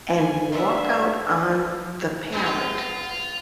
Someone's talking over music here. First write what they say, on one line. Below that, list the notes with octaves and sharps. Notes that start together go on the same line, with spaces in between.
and walk out on the pallet
G#5
B3 D4 F4 E5
G#2 B3 C#4 D4 G#4
B3 F4